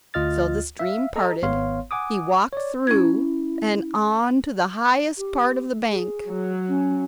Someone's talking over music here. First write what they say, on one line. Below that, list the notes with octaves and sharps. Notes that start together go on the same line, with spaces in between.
So the stream parted; he walked through and on to the highest part of the bank.
D2 F4 D#5 F6 A6
E5 F5
A4 D#5 A#5
G#1 B3 C#5 F5 C6
F#5 G#5 D6 D#6
C#5 D5
C#4 E4 G#6
G4
G#4
F#3
C#4